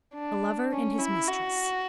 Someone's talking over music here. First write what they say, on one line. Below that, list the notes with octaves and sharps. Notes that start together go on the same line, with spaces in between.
A Lover and His Mistress.
D4
C#4
E4
F#4